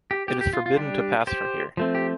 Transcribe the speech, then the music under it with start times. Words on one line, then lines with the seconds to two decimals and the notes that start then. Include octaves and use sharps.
It is forbidden to pass from here.
0.11 G4
0.28 G4
0.41 G4
0.53 F4
0.66 F4
0.77 G3 D4 G4
1.27 G4 C5
1.77 F3 A3 C4
1.95 G4